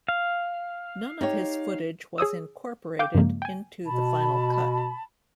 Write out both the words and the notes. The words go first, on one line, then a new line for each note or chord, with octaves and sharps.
None of his footage was incorporated into the final cut.
F5
D#4 G4 C#5
G#4 C#5 D#6 E6
F5 G5 D6 G6
G2 C#3 F3 G#3 A#3
G5 G#5
B2 A5 B5